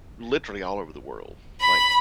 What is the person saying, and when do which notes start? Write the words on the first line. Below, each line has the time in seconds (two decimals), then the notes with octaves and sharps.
literally all over the world, like
1.61 B5